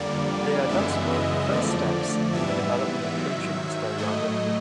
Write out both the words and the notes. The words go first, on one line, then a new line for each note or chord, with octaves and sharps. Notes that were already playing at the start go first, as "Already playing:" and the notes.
They are thus one of the first steps in the development of ancient historiography.
Already playing: F2 D3 G3 A#3 D5
F#2 C#3 E3 G#3 B3 E5
D#5
F2 D3 F3 A3 D5
G#2 E3 G3 B3 E5
G#2 D#3 F#3
A2 F#3 A3 D#5